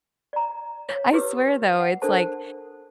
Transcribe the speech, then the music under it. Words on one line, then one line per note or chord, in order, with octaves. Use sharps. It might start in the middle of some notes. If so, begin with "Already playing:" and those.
I swear, though, it's, like
D5 A#5
C#5 F5
E4 G4 B4 C#5 D6 E6
F#5
D4 A4 A#4 C5 A5